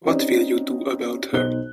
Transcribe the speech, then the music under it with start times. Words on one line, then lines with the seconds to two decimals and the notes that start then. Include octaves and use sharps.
What will you do about her?
0.05 C4 C#4 D#4 G4 C5 D5
1.33 B1 D#4 C5 F#6 G7